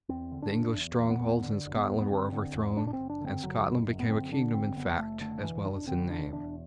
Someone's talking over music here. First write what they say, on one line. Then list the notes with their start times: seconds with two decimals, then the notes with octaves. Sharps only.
The English strongholds in Scotland were overthrown, and Scotland became a kingdom in fact as well as in name.
0.09 E2 C4
0.32 D3
0.42 D4
0.54 F#1
0.76 E2
0.99 E2
1.09 B3
1.20 E2
1.43 D3
1.65 F#1
1.76 B3
1.88 E2
2.01 B3
2.09 D3 C4
2.32 D3
2.54 E2
2.76 F#1 D4
2.87 D4
2.93 C4
2.99 F#1
3.10 D4
3.21 D3
3.26 C4
3.42 F#1 F#3
3.66 F#1
3.87 F#2
4.00 B3
4.09 D3 C4
4.32 D3 D4
4.54 F#1 C4
4.76 F#1 B3
4.99 F#1 A3
5.20 D3 A3
5.43 E1 E3
5.65 E1 D4
5.87 D3 C4
6.10 E1 D4
6.33 E2 D4